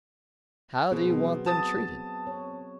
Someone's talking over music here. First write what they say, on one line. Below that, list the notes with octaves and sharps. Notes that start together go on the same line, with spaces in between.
'How do you want them treated?'
B2 C4 G#4 C5
F#3 B3 G#4
A5 D#6 A6
C4 C#5